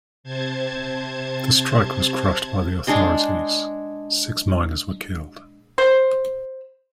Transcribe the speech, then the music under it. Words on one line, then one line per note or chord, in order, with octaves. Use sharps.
The strike was crushed by the authorities; six miners were killed.
C3 C5 A5 G#6
G#3 D4 G#4 C6
C5